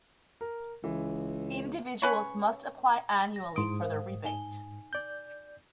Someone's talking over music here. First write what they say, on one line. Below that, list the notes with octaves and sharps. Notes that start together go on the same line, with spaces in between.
Individuals must apply annually for the rebate.
A#4
C#2 E3
C#4 B4 C#5
A#6
G#2 E4 C6 D#6 D7
A#4 C5 F5
D#4 G#5 G7
D5 G6